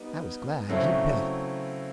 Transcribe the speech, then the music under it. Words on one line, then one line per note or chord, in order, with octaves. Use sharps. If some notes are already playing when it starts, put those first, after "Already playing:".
I was glad, you bet.
Already playing: G3 B3 D#4
C#3 F#3 A3 C4 E4